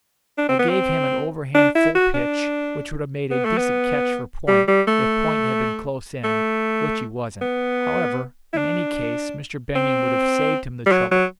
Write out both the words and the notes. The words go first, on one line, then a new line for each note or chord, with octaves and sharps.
I gave him an overhand full pitch which would have made a decent catch for point, if point had been close in, which he wasn't. However, in any case Mr. Benyon would have saved him the trouble.
D4
C4
B3
C4
D4
E4
F#4
D4
B3
A3
B3
G3
G3
A3
A3
B3
E4
D4
C4
G3
F#3
F#3